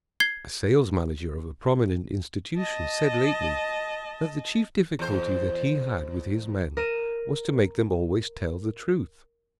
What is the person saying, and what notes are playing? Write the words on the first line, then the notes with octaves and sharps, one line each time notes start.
A sales manager of a prominent institution said lately that the chief difficulty that he had with his men was to make them always tell the truth.
G#6 C7 G7
D#5 A5
E2 C5
A#4 D#7 E7